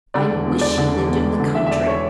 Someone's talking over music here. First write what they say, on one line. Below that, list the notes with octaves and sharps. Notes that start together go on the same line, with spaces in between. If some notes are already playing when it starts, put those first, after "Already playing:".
I wish he lived in the country.
D3 D5
E1
E2
E1 D5
D3
E1
E2
E1
D3
E1 E5
E5
E2 D5
C#5